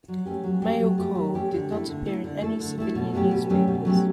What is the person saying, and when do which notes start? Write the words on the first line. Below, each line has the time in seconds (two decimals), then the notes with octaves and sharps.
"Male Call" did not appear in any civilian newspapers.
0.08 F#3
0.26 A3 C#4 G4
0.43 F#3
0.62 A3 C#4 G4
0.80 F#3
0.98 A3 C#4 G4
1.15 F#3
1.34 A3 C#4 G4
1.52 D3
1.70 A3 E4 A4
1.88 D3
2.05 A3 E4 A4
2.24 D3
2.41 A3 E4 A4
2.60 D3
2.78 A3 E4 A4
2.95 B2
3.14 F#3 A3 C#4 G4
3.31 B2
3.49 F#3 A3 C#4 G4
3.68 B2
3.85 F#3 A3 C#4 G4